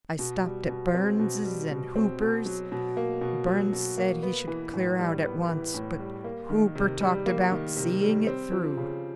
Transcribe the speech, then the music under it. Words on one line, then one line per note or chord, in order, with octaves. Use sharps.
I stopped at Burns' and Hooper's. Burns said he should clear out at once, but Hooper talked about seeing it through.
B2
G3
B2
C4
B2
G3
B2
C4
B2
F#3
B2
A#3
B2
F#3
B2
A#3
B3
E3
A2
G3
B3
E3
A2
G3
A#3
D#3
C3
G3
A#3
D#3
C3
G3
C4
F3
C#3